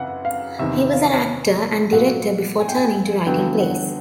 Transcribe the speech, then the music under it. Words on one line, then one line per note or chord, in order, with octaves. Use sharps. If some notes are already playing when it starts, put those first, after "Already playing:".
He was an actor and director before turning to writing plays.
Already playing: F#2 C#3 E3 F#5
F5
E2 C3 D#3 E5
F5
A#2 F#3 B3 F#5
G#5
G5
G#5
G2 D3 F#3 B3 G5
F#5